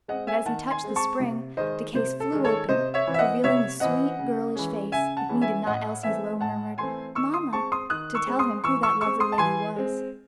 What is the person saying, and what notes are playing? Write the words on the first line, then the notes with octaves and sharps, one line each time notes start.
But as he touched the spring the case flew open, revealing the sweet, girlish face, it needed not Elsie's low murmured "Mamma" to tell him who that lovely lady was.
G#3 C4 D#5 F#5
E5 G#5
D#3 F#5 A5
G#5 C6
G#3 C4
A5 C#6
C3
D#3 G#3 C5 D#5
C3 C5
A4
D#3 G#3
A4 C#5
C3 C5 D#5
C#5 E5
E3 C4
E5
D#5 F#5
C3 C#5 E5
E3 C4 D#5 F#5
C#3
E3 G#3 C#4
C#3 E5 G#5
F#5 A5
E3 G#3 C#4
E5 G#5
A2 D#5 F#5
E3 A3 C4 E5 G#5
A2 F#5 A5
E3 A3 C4 G#5 C6
D#3 C#6 E6
C6 D#6
G#3 C4 A5 C#6
C6 D#6
D#3 D#6 F#6
C#6 E6
G#3 C4
C6 D#6
E3 C#6 E6
C#6 E6
G#3 C4 C#6 E6
C6 D#6
A5
E3 G#5 C6
G#3 C4